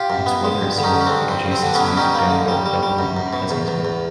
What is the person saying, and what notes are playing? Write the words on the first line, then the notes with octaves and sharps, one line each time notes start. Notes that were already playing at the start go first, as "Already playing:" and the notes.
Its weather is similar to the adjacent cities of Danville, Dublin and Pleasanton.
Already playing: F4 G4
F#2
B3
G#3
G2
D3
C#4 D#4
D3
C#4
G2 C4 D4
G2 C4
G2 C4
D3 D4
B3 C#4
F#3
E4
G3 C#4 D#4
A#3
D3
G3
G3
G3
F#2
F#2
B2
E2
E2
E2